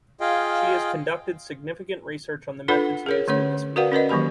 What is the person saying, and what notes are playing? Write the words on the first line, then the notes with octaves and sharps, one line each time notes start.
She has conducted significant research on the methods used in this field.
F4 G#4 D#5 F5 G5
D4 F4 A4 B4 F#5 B5
G#4 A#4 C#5
D3 A3 C#4 C#5
F#4 A#4 B4 D5 F5 F#5
C#4 A#4 B4 D#5
D#3 F#3 A#3 G4 B5